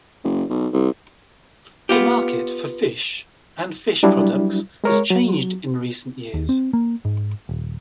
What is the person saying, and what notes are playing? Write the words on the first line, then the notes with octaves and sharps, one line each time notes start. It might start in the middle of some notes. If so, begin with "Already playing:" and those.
The market for fish and fish products has changed in recent years.
F#1
B1
C2
B3 F4 G4
F#3 G3 D4 E4
G#3 A#4 C#5
F#3
D#2
C4
A#3
G#2
D#1